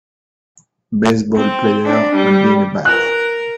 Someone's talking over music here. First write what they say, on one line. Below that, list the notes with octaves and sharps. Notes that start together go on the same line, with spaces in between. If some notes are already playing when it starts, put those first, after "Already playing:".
Baseball player holding a bat.
C4
D4
G3
A#4 F#6